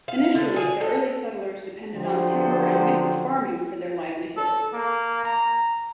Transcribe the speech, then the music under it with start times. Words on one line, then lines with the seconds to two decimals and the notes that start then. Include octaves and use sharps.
Initially, the early settlers depended on timber and mixed farming for their livelihood.
0.08 F5
0.35 D3
0.56 G#4
0.81 A4
1.95 D3 F3 F#3 G4 C5
4.37 A4
4.73 A#3
5.25 A#5